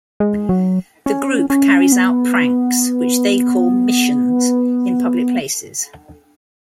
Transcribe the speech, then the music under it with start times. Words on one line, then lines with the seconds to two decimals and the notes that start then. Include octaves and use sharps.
The group carries out pranks, which they call "missions", in public places.
0.20 G#3
0.49 F#3
1.06 C#4
1.50 C#4
1.92 B3